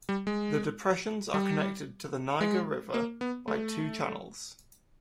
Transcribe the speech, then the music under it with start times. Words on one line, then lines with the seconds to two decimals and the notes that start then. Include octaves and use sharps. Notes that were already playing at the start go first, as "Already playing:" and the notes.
The depressions are connected to the Niger River by two channels.
0.09 G3
0.27 G#3
1.34 G3
2.41 G#3
2.94 A#3
3.21 B3
3.48 A3